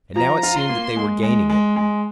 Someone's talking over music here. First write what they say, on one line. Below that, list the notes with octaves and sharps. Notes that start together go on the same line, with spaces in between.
And now it seemed that they were gaining it.
F3 A#5
F4
C6
A#3
G#3
G#3
G#3
G#3